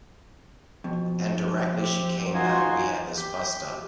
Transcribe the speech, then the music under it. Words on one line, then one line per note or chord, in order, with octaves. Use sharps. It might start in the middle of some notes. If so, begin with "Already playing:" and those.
And directly she came back we had this bust-up.
F2 B2
G4 C5 E5
D#4 F4 F#4 G#5 C6
G4